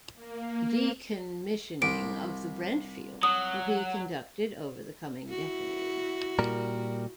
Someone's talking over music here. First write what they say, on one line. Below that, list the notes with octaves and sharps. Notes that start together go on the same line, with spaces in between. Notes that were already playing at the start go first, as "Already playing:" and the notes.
Decommissioning of the Brent field will be conducted over the coming decade.
A#3
C2 C3 D7
F#3 D#6
E4 F#4
A#2 G3 A#4